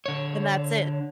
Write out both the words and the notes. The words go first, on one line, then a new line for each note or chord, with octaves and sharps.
and that's it."
D3 C#5